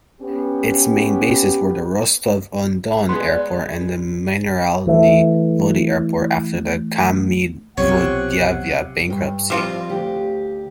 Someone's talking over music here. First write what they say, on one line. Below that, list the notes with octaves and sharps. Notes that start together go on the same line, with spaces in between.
Its main bases were Rostov-on-Don Airport and Mineralnye Vody Airport after the Kavminvodyavia bankruptcy.
B3 C#4 G4
G#3 B3 C6
D5
E3 A3
B1 C3 F4 C#5 F#5
G2
F3 G3 C4 F4
D2 G4